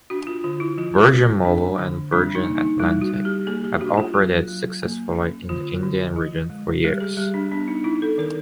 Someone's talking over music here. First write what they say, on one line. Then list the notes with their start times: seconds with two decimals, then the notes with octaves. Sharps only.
Virgin Mobile and Virgin Atlantic have operated successfully in the Indian region for years.
0.10 D4 F#4
0.27 F4
0.44 D3 F4
0.60 E4
0.77 F3 F4
1.11 A3
1.45 D4
1.78 D3
2.12 G3 D4
2.35 D#4
2.46 A#3
2.57 D#4
2.80 G3 E4
3.01 F#4
3.14 G3
3.25 G4
3.47 A#3 G#4
3.64 G4
3.81 D4 F#4
3.97 F4
4.14 F#3
4.48 F#3
4.82 A#3
5.15 C#4
5.49 D3 F4
5.83 D3
6.16 F3
6.50 G#3
6.84 G3 G4
7.00 G#4
7.17 G3 G4
7.34 D4
7.51 B3 D4
7.68 D#4
7.84 D4 E4
8.02 A4
8.18 D#3 A#4